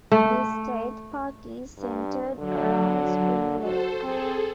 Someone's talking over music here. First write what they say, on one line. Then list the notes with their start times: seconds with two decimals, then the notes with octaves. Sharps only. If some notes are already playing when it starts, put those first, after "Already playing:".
The state park is centered around Spring Lake.
0.12 A3
1.79 G2
2.39 D3 F#3
3.60 F#4 A4 C5
4.02 C4 G#4 A4